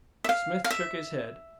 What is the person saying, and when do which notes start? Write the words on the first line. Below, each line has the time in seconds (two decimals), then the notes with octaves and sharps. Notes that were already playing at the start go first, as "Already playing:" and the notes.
Smith shook his head.
0.24 E5
0.29 F5
0.64 F5
0.70 E5